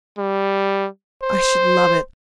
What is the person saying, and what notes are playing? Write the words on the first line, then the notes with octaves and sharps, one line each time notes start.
"I should love it."
G3
C5